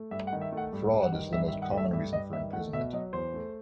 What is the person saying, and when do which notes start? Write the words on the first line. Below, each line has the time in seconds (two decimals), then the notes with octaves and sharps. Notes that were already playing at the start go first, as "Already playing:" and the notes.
Fraud is the most common reason for imprisonment.
Already playing: A3
0.11 G2 E5
0.27 F#5
0.33 D#3
0.41 E5
0.52 A3 F#5
0.73 G2
0.92 G2
1.02 F#5
1.12 D#3
1.33 G2 E5
1.48 E5
1.53 D#3
1.62 F#5
1.72 A3
1.78 E5
1.93 G2 E5
2.13 G2 D#5
2.32 D#3 E5
2.53 A3 F#5
2.73 B2 E5
2.93 F#3 D#5
3.13 E2 C5
3.34 A3